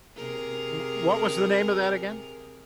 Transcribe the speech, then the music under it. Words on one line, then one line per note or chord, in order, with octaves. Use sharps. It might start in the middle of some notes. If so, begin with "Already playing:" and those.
W w what was the name of that again?
C3 G#4 A#4